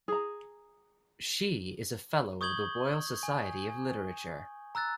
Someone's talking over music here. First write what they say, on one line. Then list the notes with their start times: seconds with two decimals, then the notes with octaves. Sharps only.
She is a Fellow of the Royal Society of Literature.
0.08 G#4 A#5
2.41 C#6 D#6 G6 G#6 F#7 G7
3.23 G#5
3.69 G#5
4.75 A#5 E6 F#6 A6